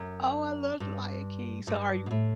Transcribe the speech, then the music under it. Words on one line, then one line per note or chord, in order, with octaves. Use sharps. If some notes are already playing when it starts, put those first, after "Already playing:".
Oh I love the Lion King so are you
Already playing: F#2
G2
G2
B2
A2